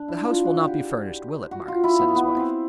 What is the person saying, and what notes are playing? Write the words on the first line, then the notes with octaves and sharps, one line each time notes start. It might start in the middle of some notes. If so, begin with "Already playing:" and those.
"The house will not be furnished, will it, Mark?" said his wife.
Already playing: D4
E4
F4
F#4
G4
F#4
F4
E4
B3
B3
C4